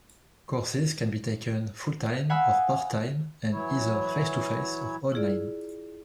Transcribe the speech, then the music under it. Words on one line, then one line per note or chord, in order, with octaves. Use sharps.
Courses can be taken full-time or part-time and either face-to-face or online.
F5 F#5 G#5 B5 D#6 E6
E3 F#3 E4 C#5
E4 F4 G#4 D5